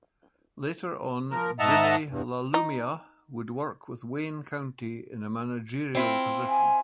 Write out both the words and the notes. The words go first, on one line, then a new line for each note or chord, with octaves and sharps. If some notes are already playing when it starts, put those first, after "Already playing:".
Later on Jimi LaLumia would work with Wayne County in a managerial position.
F3 A#4
G#2 D#5 E5 F#5 A5 A#5
E2 G2
D#4
C4 E4 F4
G#5